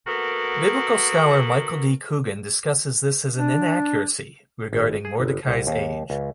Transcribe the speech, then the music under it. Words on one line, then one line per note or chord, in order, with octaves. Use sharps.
Biblical scholar Michael D. Coogan discusses this as an inaccuracy regarding Mordecai's age.
A#3 B3 F#4 A4 A#4
D4
G#1
G#4
G1
C2
D#2
C#2